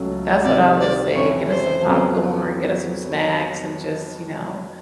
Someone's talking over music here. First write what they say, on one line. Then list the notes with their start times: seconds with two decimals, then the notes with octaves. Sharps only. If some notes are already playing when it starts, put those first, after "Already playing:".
that's what I would say. Get us some popcorn, get us some snacks, and just, you know,
Already playing: C#2 C#3 F#3 A3
0.44 C3 D#3 G3 C4 D5
0.80 D5
1.14 F2 C#3 E3 C#5
1.50 C5
1.85 F2 C#3 F#3 B3